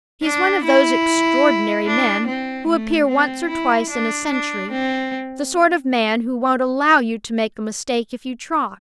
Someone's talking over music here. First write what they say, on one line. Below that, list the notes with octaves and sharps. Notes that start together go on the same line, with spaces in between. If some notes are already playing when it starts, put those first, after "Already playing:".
He's one of those extraordinary men who appear once or twice in a century--the sort of man who won't allow you to make a mistake if you try.
D4
E4
D4
C4
A3
C4
E4
D4
D4
C4